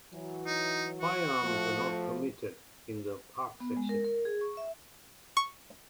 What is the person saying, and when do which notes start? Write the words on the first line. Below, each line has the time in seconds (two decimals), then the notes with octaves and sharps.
Firearms are not permitted in the park section.
0.14 E3 F#3
0.47 D#4
0.99 F#4
1.43 F3 A3
3.60 B3
3.77 G#3
3.89 A#4
4.05 A#4
4.25 G#4
4.41 C#6
4.57 E5
5.37 C#6